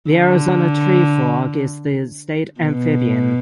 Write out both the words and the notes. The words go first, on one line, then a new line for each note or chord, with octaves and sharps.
The Arizona tree frog is the state amphibian.
D3
B2